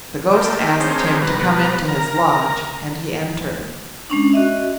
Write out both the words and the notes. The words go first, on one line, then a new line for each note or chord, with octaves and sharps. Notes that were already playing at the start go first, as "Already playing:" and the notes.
The ghost asked him to come into his lodge, and he entered.
A3 A#3 G4
C4 D4 G#4 A#4 C5 C#5
B2 G3 B4 A#5
A#4 A#5
G#3 C#4 D4
F#4 D#5 E5